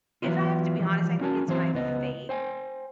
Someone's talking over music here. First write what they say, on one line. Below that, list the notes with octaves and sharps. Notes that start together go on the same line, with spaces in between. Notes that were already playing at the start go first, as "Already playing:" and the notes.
if I have to be honest, I think it's my faith.
E3 F#3 B3 C4 E4 F4
E3 F3 G3
C#4 F#4 A#4 G#5 A5
E3 F#3 C4 E4 C5
C#2 B3 D#5
C5 G5 G#5